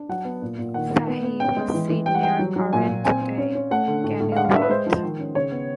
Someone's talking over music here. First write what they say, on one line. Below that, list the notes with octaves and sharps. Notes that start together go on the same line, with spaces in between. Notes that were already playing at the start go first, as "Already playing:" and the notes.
Fahy was seen near current day Kenilworth.
Already playing: D4
F#3 F#5
B3
A#2
A#2
D#3 F#5
D#3
B3
B3
C#4 G5
G#3
E3
E3
G3 G5
F#5
G3 G5
F#3
F#3
A#2 G#5
A#2
C4 G#5
C4
C#4
C#4
A3 F#5
D3
A2
A2
F5
D4 F#5
F5
D4 E5
B4
G#3 C5
F3
D#3
C#4
C#3 C#5
B3